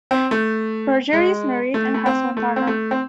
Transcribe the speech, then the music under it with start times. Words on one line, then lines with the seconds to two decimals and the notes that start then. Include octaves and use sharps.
Berger is married and has one daughter.
0.11 C4
0.31 A3
1.13 G#3
1.74 A3
1.94 A3
2.06 C4
2.37 A3
2.56 C4
2.67 A3
2.91 C4